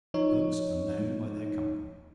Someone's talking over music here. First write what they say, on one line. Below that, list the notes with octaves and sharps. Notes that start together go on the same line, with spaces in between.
Folks are known by their company.
F3 D#4 C#5